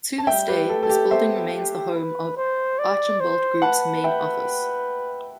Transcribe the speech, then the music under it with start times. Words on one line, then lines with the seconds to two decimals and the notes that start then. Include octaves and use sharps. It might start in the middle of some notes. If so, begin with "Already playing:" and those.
To this day, this building remains the home of Archambault Group's main office.
0.18 A5
0.27 G3 E5 G5
0.48 G4 B4
0.69 A3 A4
0.83 A4
0.89 G4
1.10 B3 C5 E5
1.53 G4
1.94 B4
2.37 C5
2.79 D5
3.20 C5
3.62 B4 F#5 A5
4.04 E5 G5